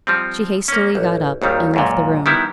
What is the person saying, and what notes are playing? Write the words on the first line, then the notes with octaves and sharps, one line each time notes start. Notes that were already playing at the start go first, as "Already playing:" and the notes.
She hastily got up and left the room.
F3 G3 C4
A#3 C#4
A1
G#1 D#2 D#3 G3
C#2 F#2 A#2
D#3 G3 B3 E4